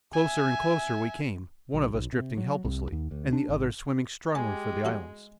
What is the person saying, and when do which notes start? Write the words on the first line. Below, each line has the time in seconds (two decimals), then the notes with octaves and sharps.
Closer and closer we came, one of us drifting helplessly, and the other swimming strongly for the islands.
0.13 E5 G#5
1.74 B1
1.94 B1
2.13 C3
2.37 F#3
2.65 C2
2.92 D#2
3.11 D2
3.33 D4
3.49 G#1
4.35 G#3 G4 G#5 A5
4.85 E2 F#4 A4